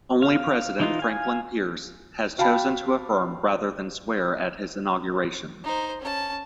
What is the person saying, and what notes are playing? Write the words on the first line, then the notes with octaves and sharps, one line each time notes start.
Only President Franklin Pierce has chosen to affirm rather than swear at his inauguration.
F5
E3 D#4 F4
F5 G#5
F#4 F5 G5 A5 B5
D#4 C5
C#4 A5